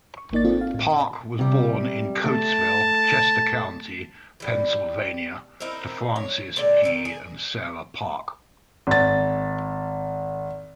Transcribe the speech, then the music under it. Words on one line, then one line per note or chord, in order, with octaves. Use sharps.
Parke was born in Coatesville, Chester County, Pennsylvania, to Francis G. and Sarah Parke.
C#6
G#1 A#3 D#4 D5 A6
C4 F4 A4
F5
A2
C3 G3
A3 A5
E3 G3
C4 D#4 E4 A#4
C#5
A#2 D3 G#3 D5
D#3 E3 A4
G#4
G#1 A6